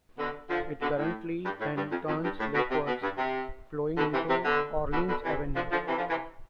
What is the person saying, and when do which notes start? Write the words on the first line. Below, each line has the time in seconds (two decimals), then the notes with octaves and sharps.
It currently then turns lakewards, flowing into Orleans Avenue.
0.18 B2 D3
0.50 D3 F3
0.81 B2 D3
0.97 A2
1.44 G2
1.60 A2
1.76 G2
1.92 F2
2.08 F2
2.24 G2
2.40 A2
2.55 B2
2.71 C3
2.87 B2
3.03 G2
3.18 C3
3.97 B2 D3
4.13 C3 E3
4.29 C3
4.45 B2 D3
4.92 B2 D3
5.09 B2 D3
5.24 C3 E3
5.55 D3 F3
5.71 D3 F3
5.88 C3 E3
5.98 D3 F3
6.09 C3 E3